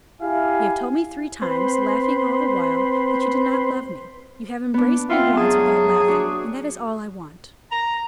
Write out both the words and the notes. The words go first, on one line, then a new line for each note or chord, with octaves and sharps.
"You have told me three times, laughing all the while, that you did not love me; you have embraced me once without laughing, and that is all I want."
E4 G4 F5 G#5
C4 B4 C5
B3 D4
C4 F4 E5 F#5 C6
F#3 G#4 A5
D4 F#4
A#5